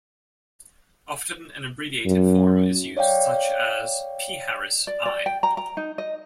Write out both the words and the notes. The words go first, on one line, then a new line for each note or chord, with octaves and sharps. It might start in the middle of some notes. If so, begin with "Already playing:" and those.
Often an abbreviated form is used, such as "pHarris I".
F#2
C#5 D5 F5 G5
D5
D5
G5
A#5
A#5
D#4
D#5